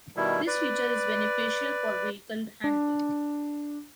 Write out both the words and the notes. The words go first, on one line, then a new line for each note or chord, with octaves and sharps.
This feature is beneficial for vehicle handling.
B2 D#3 G3 E4
B4 D5
D4